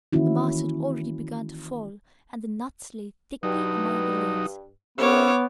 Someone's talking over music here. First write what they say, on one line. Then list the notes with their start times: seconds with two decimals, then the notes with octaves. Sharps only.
The mast had already begun to fall and the nuts lay thickly among the leaves.
0.13 D#3 E3 A#3 C#4 E4 F#4
3.43 G2 F#3 D#4
4.98 C2 B3 C#4 C#5 E5 F5 D6